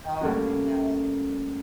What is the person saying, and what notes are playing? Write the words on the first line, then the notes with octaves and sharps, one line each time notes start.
Oh, I know.
G3 A3 A#3 C#4 F#4